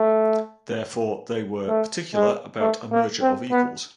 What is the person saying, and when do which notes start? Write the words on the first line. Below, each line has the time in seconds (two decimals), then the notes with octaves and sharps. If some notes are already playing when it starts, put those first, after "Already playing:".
Therefore, they were particular about "a merger of equals".
Already playing: A3
1.68 A3
2.15 G#3
2.60 A3
2.91 A#3
3.22 C4
3.51 B3